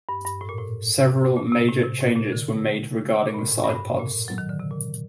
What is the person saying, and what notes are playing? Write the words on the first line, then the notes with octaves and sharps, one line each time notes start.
Several major changes were made regarding the side pods.
G2
G2
A2
A#2
A2
A#2
C3
A2
C3
A2
A#2
D3
A#2
G2
A2
A2
G2
A2
G2
A2
A#2
A2
F#3
D#3
D3
C3
A#2